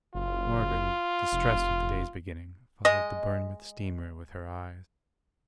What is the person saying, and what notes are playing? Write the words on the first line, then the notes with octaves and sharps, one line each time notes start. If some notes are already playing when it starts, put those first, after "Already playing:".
Margaret, distressed at the day's beginning, followed the Bournemouth steamer with her eyes.
F#1 F4
F1
G#3 D#5